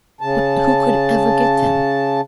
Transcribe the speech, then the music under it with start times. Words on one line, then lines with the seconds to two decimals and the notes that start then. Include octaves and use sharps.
But who could ever get them?
0.21 C#3 A5